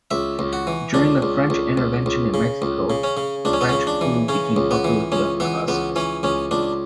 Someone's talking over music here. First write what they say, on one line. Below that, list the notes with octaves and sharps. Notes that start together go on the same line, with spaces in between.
During the French intervention in Mexico, French food became popular with the upper classes.
C#2 E5
C#2
F#4
E3
C#2 D4
C#2
C#2
C#2
C#2
C#3
C#2
C#3
C#4
C#3
C#2 D4
C#4
B3
C#3 C#4
D4
E3
C#3 C#4
C#2
B3
E3
C#2 C#4
E3 B3
C#2 B3
E3 C#4
C#2 C#4
C#2 D4